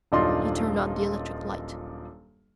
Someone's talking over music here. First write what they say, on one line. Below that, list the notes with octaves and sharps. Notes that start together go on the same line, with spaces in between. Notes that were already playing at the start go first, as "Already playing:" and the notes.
He turned on the electric light.
D#1 F#2 D4 D#4 F4 C6